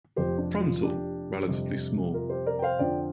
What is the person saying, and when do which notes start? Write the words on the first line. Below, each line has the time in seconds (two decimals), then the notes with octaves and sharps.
Frontal: Relatively small.
0.16 F1 F2 F3 G4 C5
0.38 D4
0.60 F4
0.83 D4 G4
1.48 F2 C3 G3
2.14 F4 A#4
2.30 G4 C5
2.46 A#4 D5
2.59 G5
2.62 C5 F5
2.79 F2 D3 F3 D5 G5